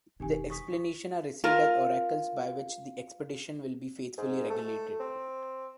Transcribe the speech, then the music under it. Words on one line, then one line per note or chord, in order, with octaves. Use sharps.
Their explanations are received as oracles by which the expedition will be faithfully regulated.
E1 D#3 D#4 G4 G#5
C#6 D#6 B6
F4 A#4
G#2
A3
C4